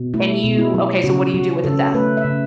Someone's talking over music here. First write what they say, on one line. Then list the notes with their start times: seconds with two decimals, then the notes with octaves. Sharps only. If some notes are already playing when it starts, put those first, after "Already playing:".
And you okay, so, what do you do with it then?
Already playing: B2
0.14 A3 E4
0.43 B2
0.59 E4
0.74 F#3
1.04 C#3 F#4
1.34 F#3 F#4
1.64 C#3 A4
1.94 A3 B4
2.17 E5
2.25 C#3